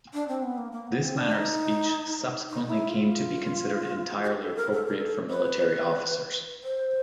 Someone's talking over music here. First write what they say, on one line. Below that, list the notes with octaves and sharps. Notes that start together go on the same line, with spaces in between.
This manner of speech subsequently came to be considered entirely appropriate for military officers.
D4
C4
B3
A#3
A#3
B3
C4
D4
D#4
D#4
E4
F4
F#4
G4
A4
A#4
A4
A#4
A4
B4
C5